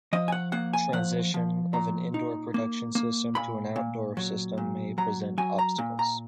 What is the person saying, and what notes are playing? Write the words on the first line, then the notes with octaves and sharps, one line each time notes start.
Transition of an indoor production system to an outdoor system may present obstacles.
F3 D#5
G#5
F#5
A#3 F#5
G#5
F3 F#5
F3
A#2 A#5
D#4
A#3
A#3
A#2 B5
A#2
F#3
A#2
F#3 A#5
F#3 G#5
A#5
A#2
A#5